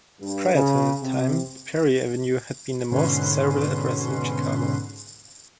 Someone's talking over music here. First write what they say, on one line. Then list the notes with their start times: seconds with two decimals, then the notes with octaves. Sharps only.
Prior to that time, Prairie Avenue had been the most desirable address in Chicago.
0.21 G2
0.54 C#3
1.03 C3
2.91 G#2 B2 D3 C#4 B4 C6